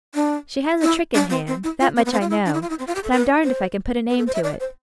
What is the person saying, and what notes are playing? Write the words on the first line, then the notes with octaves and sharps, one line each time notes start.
She has a trick in hand--that much I know, but I'm darned if I can put a name to it.
D4
E4
D4
C4
C4
E4
F4
C4
B3
C4
F4
E4
D4
E4
F4
E4
C4
F4
G4
A4
B4
C5
B4
A4
C5
E5
D5
C5